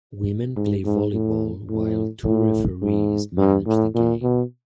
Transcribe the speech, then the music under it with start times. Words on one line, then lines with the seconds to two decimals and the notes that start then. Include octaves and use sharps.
Women play volleyball while two referees manage the game.
0.56 G#2
0.85 G#2
1.12 A2
1.69 A2
2.25 A2
2.82 G#2
3.38 G2
3.67 A2
3.95 A#2
4.22 B2